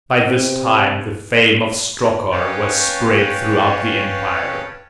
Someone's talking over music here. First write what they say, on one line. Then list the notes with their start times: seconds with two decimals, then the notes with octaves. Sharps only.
By this time the fame of Strokor was spread throughout the empire.
0.14 C3
2.31 C#4 B4 C#5 F5 G5 A5